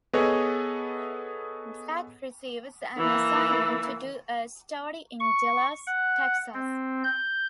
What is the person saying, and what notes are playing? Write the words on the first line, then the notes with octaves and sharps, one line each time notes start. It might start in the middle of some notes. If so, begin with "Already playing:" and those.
Jack receives an assignment to do a story in Dallas, Texas.
B3 G#4 A4 B4 C#5 D#5
E3 A#3
C#6
F#5
C4
G6